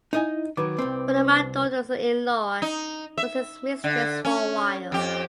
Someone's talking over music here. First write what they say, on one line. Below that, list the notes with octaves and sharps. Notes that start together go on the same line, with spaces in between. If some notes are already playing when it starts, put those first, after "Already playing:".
One of my daughters-in-law was his mistress for a while.
D#4 E4 D#5 G#5
D#3 F#3 B4 D6
C2 C4
D#4
E5
D3
C#4
F2 G4